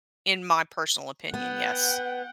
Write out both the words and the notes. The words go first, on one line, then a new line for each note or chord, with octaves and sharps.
in my personal opinion, yes.
B3 F#5 G5